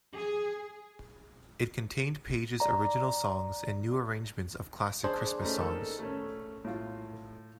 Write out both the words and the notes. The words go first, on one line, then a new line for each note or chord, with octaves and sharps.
It contained Paige's original songs and new arrangements of classic Christmas songs.
G#4
D5 A#5
D4 G#4 C5
A3 C#4 D#4
D#3 A#3 A4
A3 C#4
A2 F4